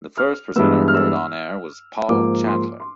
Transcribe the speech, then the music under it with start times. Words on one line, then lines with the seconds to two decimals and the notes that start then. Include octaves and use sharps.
The first presenter heard on air was Paul Chantler.
0.18 F6
0.56 G2 E3 G#3 B3 E6
0.88 F6
0.94 E6
2.08 G#2 F3 A#3 D6
2.47 C6
2.80 C6